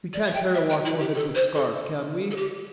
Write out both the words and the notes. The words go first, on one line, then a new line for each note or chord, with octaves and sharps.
We can't harrow our foreheads with scars, can we?
D5
E5
G5
E5
G5
E4
G4
A4
C5
A4
A4
G4